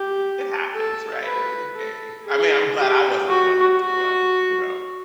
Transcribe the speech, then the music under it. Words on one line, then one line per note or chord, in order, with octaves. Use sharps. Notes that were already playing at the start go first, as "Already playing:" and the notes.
It happens, right? I mean, a I mean, I'm glad I wasn't the one that threw up, you know?
Already playing: G4
A4
B4
A4
G#4
G4
F#4
F#4